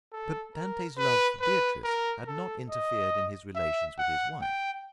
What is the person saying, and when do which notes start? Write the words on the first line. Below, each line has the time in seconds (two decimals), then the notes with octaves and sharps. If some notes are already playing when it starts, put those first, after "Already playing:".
But Dante's love for Beatrice had not interfered in his relations with his wife.
0.13 A4
0.55 A#4
0.98 B4
1.41 B4
1.84 A#4
2.27 A4
2.70 D#5
3.55 E5
3.98 F#5
4.41 G5